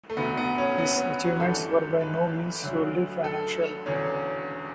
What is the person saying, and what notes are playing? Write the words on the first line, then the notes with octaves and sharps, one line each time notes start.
His achievements were by no means solely financial.
A3
E1 D2 D3 B3
B3
C#4
B3
B3
F#4
G1 F#2 E3 G3 A4
B4
D2 D3 F#3
A4
E1 E2 D3 C#4